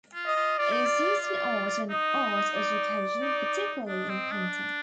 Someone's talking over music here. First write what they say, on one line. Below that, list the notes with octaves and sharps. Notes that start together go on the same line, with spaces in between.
It is used in art and art education, particularly in painting.
F4
D#5
F4
F4 D5
D#4
F4
D5
D#4 D#5
D5
D#4
D4 D#5
C4
D4